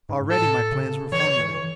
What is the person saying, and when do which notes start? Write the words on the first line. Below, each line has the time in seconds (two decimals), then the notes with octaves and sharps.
Already my plans were formulated.
0.09 G#2
0.30 A2 A4
0.71 C#3
1.12 E3 C#5
1.40 E3